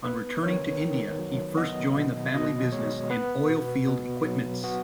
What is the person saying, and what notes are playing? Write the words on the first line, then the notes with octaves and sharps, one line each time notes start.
On returning to India, he first joined the family business in oil-field equipments.
B3 B4
D#3 C#5
D#3
F#3
B3 D#5
B2
B2 D#5
G#3 C#5
B3 B4
B2
B2
F#3
B3 F#4